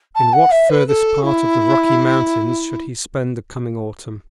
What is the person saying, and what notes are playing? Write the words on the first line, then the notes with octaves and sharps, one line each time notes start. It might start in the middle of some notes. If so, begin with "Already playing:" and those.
In what furthest part of the Rocky Mountains should he spend the coming autumn?
A5
F#5
E5
B4
A4
E4